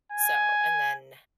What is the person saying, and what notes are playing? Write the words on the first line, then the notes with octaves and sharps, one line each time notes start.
So and then,
G#5